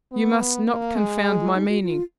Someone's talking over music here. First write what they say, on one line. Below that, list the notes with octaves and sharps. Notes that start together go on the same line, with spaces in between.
You must not confound my meaning.
B3
A#3
G#3
G#4
F4
D#4
F#4
F4